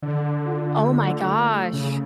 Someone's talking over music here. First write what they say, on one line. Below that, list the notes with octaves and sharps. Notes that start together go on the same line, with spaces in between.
Oh my gosh.
D3 D4
F4
A3
A3
C#3